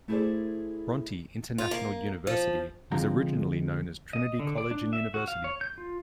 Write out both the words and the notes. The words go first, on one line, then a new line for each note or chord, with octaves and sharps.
Bronte International University was originally known as "Trinity College and University".
A3 E4 G#4 A4 C5 D5
F4
A#3
F3
D3 F3 G#3 C4 A#5
D#5
D3
D5
D4
E5
F#4
F5
C#5
G6
F4